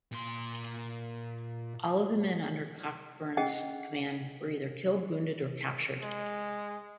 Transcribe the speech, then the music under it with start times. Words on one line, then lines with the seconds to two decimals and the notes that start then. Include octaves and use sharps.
All of the men under Cockburn's command were either killed, wounded or captured.
0.12 A#2 C6
3.37 C#4 G#4 D#5 F#5 G5
6.03 G#3